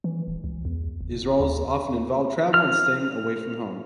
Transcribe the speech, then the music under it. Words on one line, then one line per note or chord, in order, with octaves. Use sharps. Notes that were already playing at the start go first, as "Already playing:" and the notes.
These roles often involved travel and staying away from home.
E3
D#1
C#2
E2
F#1
D#2
F6